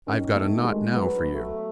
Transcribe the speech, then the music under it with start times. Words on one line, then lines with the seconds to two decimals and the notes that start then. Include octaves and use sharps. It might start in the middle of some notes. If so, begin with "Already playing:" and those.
"I've got a knot now for you."
0.07 D#3 C#4
0.35 A3
0.64 G#3
0.92 F#3 B3
1.35 A3